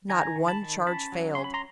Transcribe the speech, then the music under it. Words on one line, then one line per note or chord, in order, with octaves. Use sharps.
Not one charge failed.
D#3 G#5 A#5
D#3
A5 B5
D#3
C#4 A5 B5
F#3
C#4 C6
B5
A#5 C6